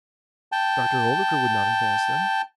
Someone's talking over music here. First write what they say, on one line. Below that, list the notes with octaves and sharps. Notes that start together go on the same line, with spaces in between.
Dr. Oldacre would not advance them.
G5 A5